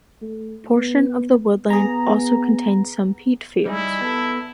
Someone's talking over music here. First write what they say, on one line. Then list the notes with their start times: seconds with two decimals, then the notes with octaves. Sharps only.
Portion of the woodland also contains some peat fields.
0.22 A3
0.77 B3
1.70 B3 G#4 A#5
3.66 G3 D#4 E4 G#4
4.01 B3 A4